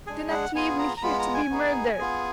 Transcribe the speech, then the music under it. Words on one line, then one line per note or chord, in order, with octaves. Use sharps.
Do not leave me here to be murdered!
G#3 D4 G#4 G#5
F#5
B3 F4 G#4 G#5
A#5
A#5
G#3 B3 F4 B5
A#5
G#5
B3 D#4 G#4
B3 F4 G#4